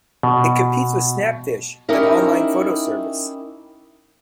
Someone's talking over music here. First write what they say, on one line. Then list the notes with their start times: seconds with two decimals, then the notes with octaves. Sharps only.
It competes with Snapfish, an online photo service.
0.23 B2
1.88 C#4 D#4 E4 G4 A#4 E5